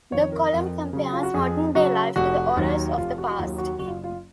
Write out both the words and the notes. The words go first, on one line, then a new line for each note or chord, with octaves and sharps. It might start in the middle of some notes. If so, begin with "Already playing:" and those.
The column compares modern day life to the horrors of the past.
F2 D#3 C#5
A#4
F2
C#3 F#3
F4
F#4
F2 G#4
C#3 F#3 F#4
F1 F#4
D#2 D#3 F#3
F1 F4
F#4
F#4
D#2 D#3 F#3 F4
F#4
F#1 F#4
F4
F4